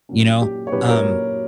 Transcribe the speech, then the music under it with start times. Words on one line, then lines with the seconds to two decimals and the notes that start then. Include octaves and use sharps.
you know, um,
0.09 A#2 F#3 A#3 C#4
0.41 G4
0.67 C#5
0.72 A#2 F#3 A#3 C#4 G4 B4
0.89 A#4 C#5